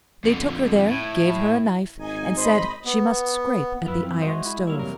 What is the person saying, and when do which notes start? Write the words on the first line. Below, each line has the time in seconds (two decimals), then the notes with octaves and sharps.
They took her there, gave her a knife, and said she must scrape at the iron stove.
0.24 F2 D3
0.88 A2 E4
1.98 G#1 D#4 G#5
2.37 C5 D#5 B5
2.85 B3
3.86 F#2 F3 E4 F4 B4
4.04 C4
4.22 G#3 F#4 C5 D#5 E5
4.46 E4
4.67 F#3 G3 A#3 E4 F5
4.79 C3 E3 C4 A#4